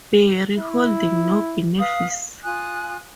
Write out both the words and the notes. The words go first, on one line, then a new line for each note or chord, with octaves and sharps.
Bury, holding no benefice.
E4
B4 F5 D#6
F4 G#5 D#6 F#6